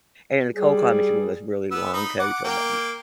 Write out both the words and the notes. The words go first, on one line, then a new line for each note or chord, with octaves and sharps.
And in the cold climates, you wore those really long coats a lo b
G3 G#4
B3 E6
D#4 B5
F#5 D6
A#3 G5